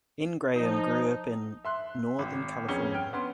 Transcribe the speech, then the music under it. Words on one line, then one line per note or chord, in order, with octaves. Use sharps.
Ingraham grew up in Northern California.
F3 D#4
E5 C6 F#6
G#1
F2 B3 C#4 G#4 C#7 G7
G5 F6
B3 C#4 C6